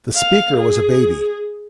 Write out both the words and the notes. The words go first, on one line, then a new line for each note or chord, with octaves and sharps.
The speaker was a baby!
F5
G#4